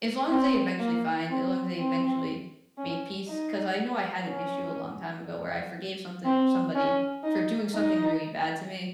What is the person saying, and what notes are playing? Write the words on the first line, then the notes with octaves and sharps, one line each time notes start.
as long as they eventually find as long as they eventually made peace 'cause I know I had an issue a long time ago, where I forgave something somebody for doing something really bad to me,
C4
A#3
C4
C4
C#4
D#4
C#4
C4
C#4
D#4
D#4